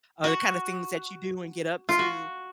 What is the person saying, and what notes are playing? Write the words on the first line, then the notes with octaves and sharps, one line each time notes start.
or the, kinda, things that you do and get up to,
F#4
F4
F#4